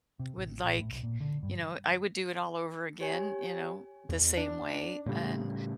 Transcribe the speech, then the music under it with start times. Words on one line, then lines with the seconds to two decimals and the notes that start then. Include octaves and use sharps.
would, like, you know I would do it all over again, you know, the same way, and
0.19 C3
0.38 A1
0.64 A#1
0.79 A2
0.91 B1
1.03 A#2
1.20 D3
1.43 G2
3.00 G4 C#5 G#5
4.09 E2
4.37 D4
5.06 A2 C#3 G3 A3